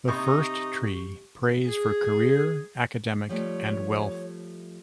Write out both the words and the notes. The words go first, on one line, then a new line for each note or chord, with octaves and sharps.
The first tree prays for career, academic and wealth.
C3 D#4 C#6 G6
G#4
F3 G3 A3 C#5